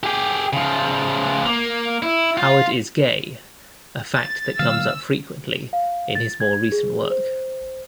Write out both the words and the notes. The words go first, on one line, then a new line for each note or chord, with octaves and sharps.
Howard is gay, a fact that comes up frequently in his more recent work.
G4 G#4
C#3 F3
A#3
E4
F4
A6
D3 F#3 A#3 F5 E6
F5
A6
G#6
G#4
C5